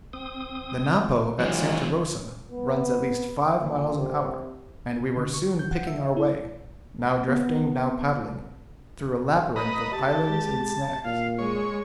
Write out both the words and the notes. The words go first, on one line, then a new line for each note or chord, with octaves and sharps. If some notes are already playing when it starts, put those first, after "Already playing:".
The Napo at Santa Rosa runs at least five miles an hour, and we were soon picking our way--now drifting, now paddling--through a labyrinth of islands and snags.
C4 D#6
A#1 E3 F#3 G#3
B3
A#2
C3
D3
C#6
G6
F#5
E5
E4
B3
B4 D#5 A#5
G4 A5
G#3
A#2 F5
G#3 C#5